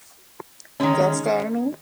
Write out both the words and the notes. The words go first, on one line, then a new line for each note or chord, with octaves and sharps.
Just tell me.
D#3 G#3 C#4